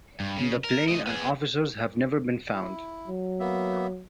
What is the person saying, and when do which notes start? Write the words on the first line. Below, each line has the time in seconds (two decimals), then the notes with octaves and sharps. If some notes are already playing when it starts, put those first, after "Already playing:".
The plane and officers have never been found.
0.20 G2
0.38 C#3
0.64 A#4
0.88 A3 D#5
1.07 B3 G#4
2.53 E4
3.08 F#3
3.40 A#3 B3 E5